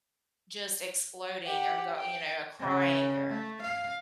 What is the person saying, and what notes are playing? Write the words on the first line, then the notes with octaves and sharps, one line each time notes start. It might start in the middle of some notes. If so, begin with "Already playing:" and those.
just exploding or go you know, crying or
G4 F#5
G5
C#3
A3
F5